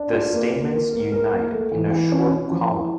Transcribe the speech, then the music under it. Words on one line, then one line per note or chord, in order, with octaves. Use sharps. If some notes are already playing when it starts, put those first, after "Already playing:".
The stamens unite in a short column.
Already playing: D4
F4
A#3
A#3
A#4
A#4
A#4
A#3
A3
E3
E3
C#4
C#4
F3
E4